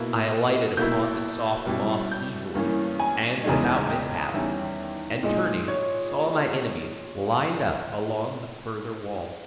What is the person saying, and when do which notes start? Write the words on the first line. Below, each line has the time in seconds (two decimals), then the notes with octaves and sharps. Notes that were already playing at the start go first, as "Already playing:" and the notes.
I alighted upon the soft moss easily and without mishap, and turning saw my enemies lined up along the further wall.
Already playing: B2 A#3 E4
0.77 B2 A#3 E4 G6
1.66 B2 G3 C#4 E4
2.12 G6
2.55 G2 E3 A#3 C#4
3.00 G#5
3.44 E2 C#3 G#3 D#4
3.90 G5
4.34 E2 D#3 G3 C#4 E5
5.23 A#2 G#3 D#4
5.68 C#5